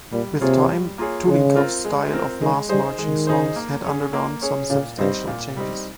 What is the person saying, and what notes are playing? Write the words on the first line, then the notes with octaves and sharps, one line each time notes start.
With time, Tulikov's style of mass-marching songs had undergone some substantial changes.
A#2 G3
C3 A#3 F4 G#4 C#5
G3
A#3 F4 G#4 C#5
C#3 G#3
C4 F4 A#4
G#3
C4 F4 A#4
D#3 G#3
G3 D#4 G#4 C5
D#3 G#3
D#4 G#4 C5
A#3
C#4 G#4 C#5
A#3
C#4 G#4 C#5
A#2 C#3
G2 G3 C4 D#4
A#2
G3 C4 D#4